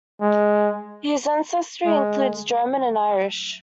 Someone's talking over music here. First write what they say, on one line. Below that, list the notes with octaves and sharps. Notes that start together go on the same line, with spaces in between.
His ancestry includes German and Irish.
G#3
G#3